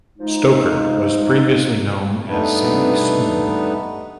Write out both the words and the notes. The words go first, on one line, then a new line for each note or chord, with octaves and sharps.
Stoker was previously known as Sammy Smooth.
F3 G#3 D#4
G2 A3 B3 D4 D#4 B4